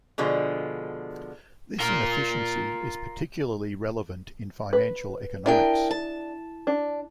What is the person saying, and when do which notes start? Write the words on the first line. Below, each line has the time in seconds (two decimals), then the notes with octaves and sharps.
This inefficiency is particularly relevant in financial economics.
0.18 B2 D3 F3 G#3
1.80 F4 A#4
4.73 B4
5.46 D4 E4 G#4 A#4 G5
5.91 A5
6.67 D4